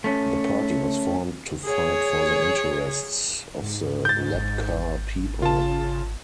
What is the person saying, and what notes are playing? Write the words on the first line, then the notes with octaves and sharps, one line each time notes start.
The party was formed to fight for the interests of the Lepcha people.
A3 C#4
G#4 C#5
G#2
G6 A6
G#1
C#3 F4 A5